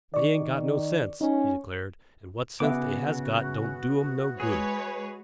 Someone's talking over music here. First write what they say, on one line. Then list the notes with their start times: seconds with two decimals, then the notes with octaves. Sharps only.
"They ain't got no sense," he declared, "and what sense they has got don't do 'em no good."
0.14 D#3 D5 C#6
1.21 C#4 D#4
2.60 C#3 B3 F#4 E5 D6
4.40 G#3 G#4 B4 C#5